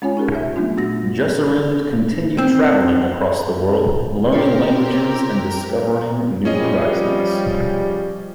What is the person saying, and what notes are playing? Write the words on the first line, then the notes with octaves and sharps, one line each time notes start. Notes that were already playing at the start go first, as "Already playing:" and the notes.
Jusserand continued travelling across the world, learning languages and discovering new horizons.
G#3 C#4 F4 C#5 G#5
D#4 G4 G#4 A#4
E5
F#3 A3 B3 D4 F4
A#2 A3 F#4 A#6
C4
C4 D4 F4 G4 A#4 C#5
F3 G3 C#4 G#4 D#5